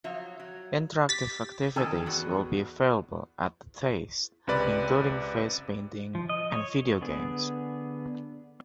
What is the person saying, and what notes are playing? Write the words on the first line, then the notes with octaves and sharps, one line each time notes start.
Interactive activities will be available at The Taste, including face-painting and video games.
F3 F#3 E5
F#3
G4 A6 B6
D#3 A4 G5 G#5 E6
E2 B3 F#4
C#2 C3 B4 D5
F3
D#5
C#5
D3 B3 G#4